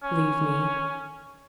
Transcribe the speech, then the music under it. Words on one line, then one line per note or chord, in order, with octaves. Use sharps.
"Leave me."
C#4